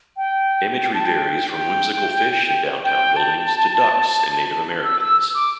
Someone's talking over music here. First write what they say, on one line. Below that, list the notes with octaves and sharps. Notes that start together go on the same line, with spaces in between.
Imagery varies from whimsical fish and downtown buildings to ducks and Native Americans.
G5
G5
A5
G5
G5
G5
A5
E6
E6
D6